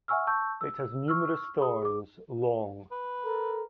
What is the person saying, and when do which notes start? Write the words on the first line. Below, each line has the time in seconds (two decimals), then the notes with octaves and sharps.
It has numerous thorns, long.
0.08 E5 F#5 G#5 C#6 E6 F6
0.27 A5 C#6 E6 G6
0.61 E6
1.08 C#6 E6 F6
1.60 G#4 B5 D#6
1.82 G#4 D6
2.92 B4
3.23 A4 A#4